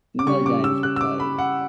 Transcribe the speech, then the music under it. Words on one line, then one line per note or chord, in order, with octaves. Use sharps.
No games were played.
D6
C#3 G3 C#6
D6
E6
F#6
E6
D6
B5
F#5